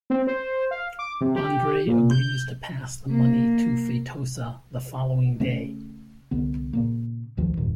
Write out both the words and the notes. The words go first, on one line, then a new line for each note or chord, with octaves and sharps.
André agrees to pass the money to Feitosa the following day.
C4
C5
F5
D6
C3
G4
A#2
G6
A#3
C#3 A3 C#4
C2 D3 B3
A#2 C#3 A#3
A1 D2 D#3 F3
E1 G2 A#2 D#3